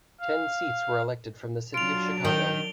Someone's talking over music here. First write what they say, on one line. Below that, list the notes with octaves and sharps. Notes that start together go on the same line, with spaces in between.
Ten seats were elected from the City of Chicago.
F5
F#3 D4 F4 D7 F7
D#3 G5 D7 G7